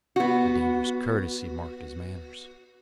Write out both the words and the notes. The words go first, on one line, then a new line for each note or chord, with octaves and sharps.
A dangerous courtesy marked his manners.
B3 F#4